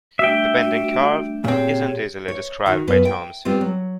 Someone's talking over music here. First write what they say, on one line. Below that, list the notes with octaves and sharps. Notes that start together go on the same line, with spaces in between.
The bending curve isn't easily described by terms.
G3 A3 D4 F#4 E5 G5
A#2 C4 G4 G#4 C#5
C#5
D#3 D#4 F#4
F#2 B3 F4
G5
G3 B3 C4 F4
F#3